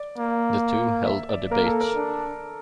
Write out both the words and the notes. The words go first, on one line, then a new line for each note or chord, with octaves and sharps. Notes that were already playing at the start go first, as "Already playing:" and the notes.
The two held a debate.
Already playing: D5
A#3
E5
D5
A#3 A#4
A4
A#4
D4